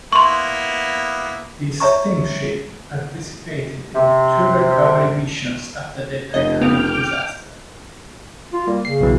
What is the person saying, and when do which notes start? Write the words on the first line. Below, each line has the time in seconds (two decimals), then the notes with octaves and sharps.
This steamship participated in two recovery missions after the "Titanic" disaster.
0.13 A#3 B3 E4 C6 C#6
1.80 C#5 E5 A#5 C#6
3.95 C3
6.34 F1 D#5
6.61 B3 G5 D6 F6
8.53 F4
8.68 G3 A#3
8.85 C#3 C7
9.00 B1 B2 E3